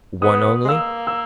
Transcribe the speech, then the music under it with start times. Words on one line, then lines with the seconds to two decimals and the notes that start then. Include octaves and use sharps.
"One only?"
0.21 B3 D#6
0.65 G#3
0.68 A#3 E6
1.07 E6